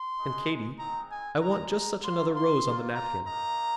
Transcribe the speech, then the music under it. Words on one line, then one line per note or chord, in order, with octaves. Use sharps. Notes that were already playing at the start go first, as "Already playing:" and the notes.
And Katy, I want just such another rose on the napkin.
Already playing: C6
G#3 D#4
G#3 C4 D#4 A#5
G#5
G#3 D#4 A#5
A#5
A#3 F4 C6
C6
A#3 F4
A#5
A#3 D#4 A#5